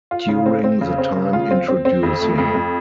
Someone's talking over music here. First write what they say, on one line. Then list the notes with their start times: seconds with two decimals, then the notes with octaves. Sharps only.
During the time Introducing...
0.11 F4
0.28 C#3
0.46 C4
0.64 C4
0.81 C#3
0.98 C4
1.16 C#3
1.33 F4
1.51 C4
1.68 C4
1.85 C4
2.03 F2
2.21 A3
2.38 F2
2.55 F2